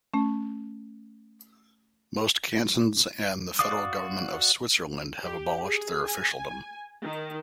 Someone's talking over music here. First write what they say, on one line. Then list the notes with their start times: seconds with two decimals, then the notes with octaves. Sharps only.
Most cantons and the federal government of Switzerland have abolished their officialdom.
0.14 A3 C#4
3.59 F#4 D5 F5 D6 D#6
5.23 G4
5.65 G#4
6.07 G#5
7.03 D#3